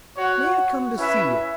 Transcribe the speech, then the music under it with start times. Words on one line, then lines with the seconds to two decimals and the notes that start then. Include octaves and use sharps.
May I come to see you?
0.16 F#4 C#5 F#5
0.97 C#4 E4 B4 E5